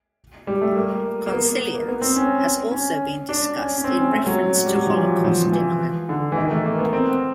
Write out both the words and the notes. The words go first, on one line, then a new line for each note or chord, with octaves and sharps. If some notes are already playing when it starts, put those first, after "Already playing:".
Consilience has also been discussed in reference to Holocaust denial.
G3
A3
A#3
A#3
B3
A#3
A#3
B3
C4
C#4
C#4
D4
C#4
C#4
C4
C#4
A3
F#3
G3
F#3
F3
E3
F3
F3
E3
D3
E3
D#3
A#3
A3
A#3
B3
C4